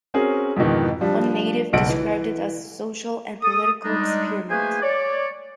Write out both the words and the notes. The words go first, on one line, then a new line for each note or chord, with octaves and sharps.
One native described it as a social and political experiment.
C4 C#4 F#4 G#4 A#4
F2 G#2 B2 D#3 E3
F3 G3 D4
F#1 B1 F#5 D7
E3
A4 D#6
G3 G#3 D4 D#4
A3 A#3 G#4 B4 C5 G#5
C#5 D5